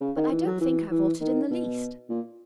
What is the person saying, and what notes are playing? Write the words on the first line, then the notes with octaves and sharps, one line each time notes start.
But I don't think I've altered in the least.'
C#3
D#3
E3
F#3
E3
E3
D#3
B2
A#2